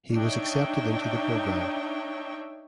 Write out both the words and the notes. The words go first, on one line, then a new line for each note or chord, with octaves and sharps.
He was accepted into the program.
D4 D#4 C#5 E5 G5